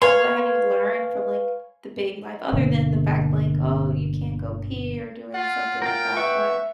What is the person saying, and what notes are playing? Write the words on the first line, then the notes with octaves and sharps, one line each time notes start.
what have you learned from, like, the baby life other than the fact like, oh, you can't go pee or doing something like that, but,
B4 C#5 F5 G#5 C6
G1 B2 D3 A#3
F4 F#5
F4 A#4 G5
B4 E5 F#5 C#6